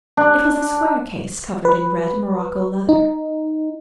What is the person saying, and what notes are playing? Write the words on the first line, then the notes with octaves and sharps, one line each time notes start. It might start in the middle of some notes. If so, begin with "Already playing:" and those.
It was a square case covered in red morocco leather.
D4
B4
D#4